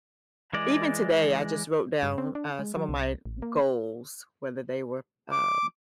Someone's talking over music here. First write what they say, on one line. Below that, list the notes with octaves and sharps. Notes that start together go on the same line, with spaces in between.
even today, I just wrote down, uh, some of my goals, whether they were, um,
E3 G#3 D5
G2
C4
D4
G#3
F#3
C2
A1
A#3
D6